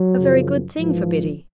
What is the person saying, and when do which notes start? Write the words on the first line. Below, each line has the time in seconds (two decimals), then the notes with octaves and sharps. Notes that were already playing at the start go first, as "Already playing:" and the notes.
A very good thing for Biddy.'
Already playing: F#3
0.16 F#2 C#3 F3
0.77 G#2 E3 F3